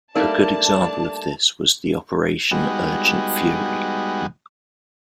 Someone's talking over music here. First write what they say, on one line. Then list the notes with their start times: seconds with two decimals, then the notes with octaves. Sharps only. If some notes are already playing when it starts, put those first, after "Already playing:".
A good example of this was the Operation Urgent Fury.
0.16 G3 A3 A#3 D4 D#4 A#4 A5
2.51 G3 G#3 B3 D#4 F#4